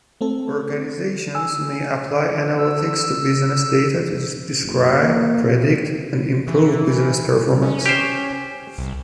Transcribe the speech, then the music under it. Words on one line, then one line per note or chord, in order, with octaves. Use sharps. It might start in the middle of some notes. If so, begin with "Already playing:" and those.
Organizations may apply analytics to business data to describe, predict, and improve business performance.
A3 C4 A4
G#5 E6
E6
F#1
A#3
C3
E3
C#4
G4 C5
C2